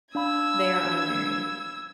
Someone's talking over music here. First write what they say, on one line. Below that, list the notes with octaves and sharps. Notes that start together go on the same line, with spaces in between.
They are unmarried.
D4 F5 B5 E6 G#6